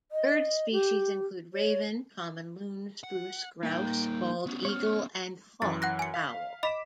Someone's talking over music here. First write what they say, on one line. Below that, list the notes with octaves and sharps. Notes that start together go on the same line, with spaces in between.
Bird species include raven, common loon, spruce grouse, bald eagle and hawk owl.
D#5
G4
C#5
F#5
G3 A#3 D#4 G5
B3 C#4
C#5 F6
F#2 E3 A6
F#5 F#6 A#6
G#5 C#7
F5 B6
D#5 B5 D6 B6 E7